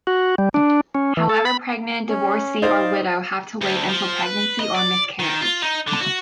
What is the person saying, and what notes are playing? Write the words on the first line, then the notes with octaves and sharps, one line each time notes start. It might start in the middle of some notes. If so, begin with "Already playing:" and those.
However pregnant divorcee or widow have to wait until pregnancy or miscarriage.
F#4
G3
D4
C#4
E3
A4
B5
C#4
D#4 C5 D5 F5
D2
F3
B4
D#5
D5
D#3
F4
D#4
D3
F#4